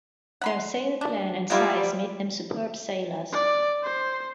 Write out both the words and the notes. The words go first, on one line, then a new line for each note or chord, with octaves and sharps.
Their sail plan and size made them superb sailers.
F#5 B5 C6
D4
G3 A#3 B3 E4 F4
D5
C5